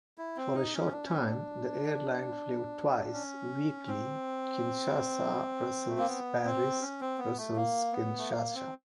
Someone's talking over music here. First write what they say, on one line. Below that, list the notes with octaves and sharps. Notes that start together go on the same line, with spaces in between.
For a short time, the airline flew twice weekly Kinshasa-Brussels-Paris-Brussels-Kinshasa.
E4
C4
D#4
C#4
D4
C#4
D4
C#4
C4
A3
A#3
B3
C4
C#4
C4
B3
A3
A#3
B3
A3
A#3
C4